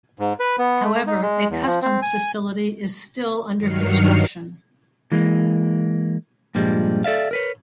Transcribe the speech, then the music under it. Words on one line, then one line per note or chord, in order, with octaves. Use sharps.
However, a customs facility is still under construction.
G#2
B4
B3
A3
D#4
G#3
E2
F3
C4
G#5
G2 D#3 F#3 F6 C7 C#7
E3 G#3 A#3
G2 A#2 F3 G3 G#3
A4 D5 E5 F5
A#4 B4 C#5